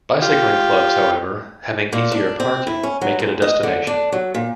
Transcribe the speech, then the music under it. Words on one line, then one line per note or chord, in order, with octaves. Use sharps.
Bicycling clubs, however, having easier parking, make it a destination.
F4 G4
A#2
D4
C4
E4
C#4
F#3
D2
D#5
D3
D4
F#3
A#2